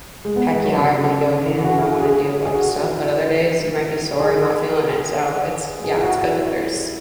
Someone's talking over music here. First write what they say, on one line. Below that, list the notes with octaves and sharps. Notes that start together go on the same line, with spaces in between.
"Heck yeah, I want to go ham, I wanna do a bunch of stuff," but other days you might be sore and not feeling it, so it's, yeah, it's good that there's
G#3
B3
G#3
F#3
C#3
E3
F#4
E4
F#4
G#4
G#4
F#4
E4
G#4
G#4
E4
F#4
E4